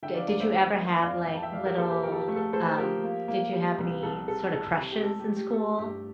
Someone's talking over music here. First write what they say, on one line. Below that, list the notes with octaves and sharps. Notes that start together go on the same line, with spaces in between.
D did you ever have, like, little, uh, um did you have any, sort of, crushes in school?
D3 E5 G5
D5 F5
D2 A#4 D5
C5 E5
A#3
A#3
F2 D5 F5
E3 G5
A5
E5 G5
E3 D5 F5
G4 A#4
A#3 A4 C5
G4 A#4
F3 G4 A#4
A4
G4
A3
A4
A3 A4 C5
C5
F3 G4 A#4
A#3
A#3
G3
C2
C2 A4
C3 A4
C2 A4
C3
G4
A3 A4
G4
A3
G4
A3 A4
G2 G4